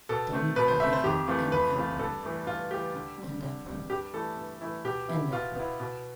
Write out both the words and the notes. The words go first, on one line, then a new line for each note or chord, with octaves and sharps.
"Done for ever and ever... and ever... and ever."
B2 A4
A3 C4
B2 B4
C5
A3 C4 E5
C5
F2 G4
E3 A3 C4 F4
F2 B4
E3 A3 C4 F4
G2 A4
E3 A3
G2 F4
E3 A3 G4
D3
G3
C4
D3
G3 C4
G2 G4
E3 A3 E4 A4
G2
E3 A3 E4
B2 G4
B3 E4
B2 F4
B3 E4
B2